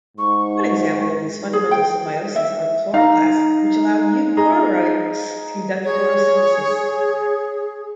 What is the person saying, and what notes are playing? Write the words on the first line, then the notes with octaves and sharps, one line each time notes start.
One example of these fundamental symbioses are chloroplasts, which allow eukaryotes to conduct photosynthesis.
G#2 C#6
G#4
G5
E5
D#4 F5 A#5
G#4 D#5 A#5
G#4 C#5